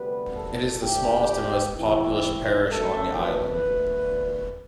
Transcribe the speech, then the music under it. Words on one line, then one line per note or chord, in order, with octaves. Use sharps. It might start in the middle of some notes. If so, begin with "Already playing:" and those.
It is the smallest and most populous parish on the island.
Already playing: D2 C3 G3 B3 B4
A4
D2 D3 A3 C4 G4
E2 C3 E3 A3 C4 E4
F#2 F#3 A3 A4
B4
D2 D3 A3